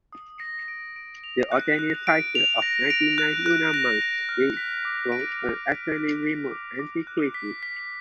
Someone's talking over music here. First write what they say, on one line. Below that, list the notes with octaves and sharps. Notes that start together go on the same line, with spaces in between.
The octennial cycle of ninety-nine lunar months dates from an extremely remote antiquity.
D#6
A#6
D7
D7
F7
F#6
F#6
D7
F7
A#6
D7
F#6
F#6
A#6
D7
F6
B6
D6
D7
F6
B6
F#6
B6
D6
D6
F#6
B6
B6